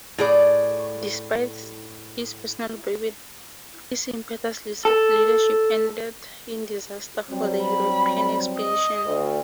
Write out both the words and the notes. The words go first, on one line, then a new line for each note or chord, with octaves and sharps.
Despite his personal bravery, his impetuous leadership ended in disaster for the European expedition.
A2 G#4 D5
A4
F#3 G3 C4
B5
D#5
D2